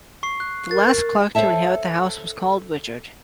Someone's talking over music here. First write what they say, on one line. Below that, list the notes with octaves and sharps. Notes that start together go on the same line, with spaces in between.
The last Clark to inherit the house was called Richard.
C#6 C7
F#6
A#4 A6
A4 C5 C#5 E5 A5